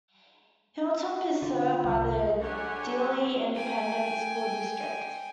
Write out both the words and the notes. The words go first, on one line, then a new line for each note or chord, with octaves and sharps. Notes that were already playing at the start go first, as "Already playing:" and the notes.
Hilltop is served by the Dilley Independent School District.
D3 F4
C2
D3 F#3 G4 C#5 F#5 G#5
G5 G#5